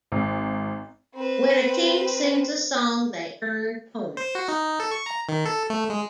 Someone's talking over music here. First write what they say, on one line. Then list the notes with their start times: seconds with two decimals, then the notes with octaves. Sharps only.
When a team sings a song they earn points.
0.12 G#1
1.15 C4 B4
4.17 C5
4.35 F#4
4.48 D#4
4.80 A4
4.91 C#6
5.06 A#5
5.29 D#3
5.46 A4
5.70 A3
5.90 G#3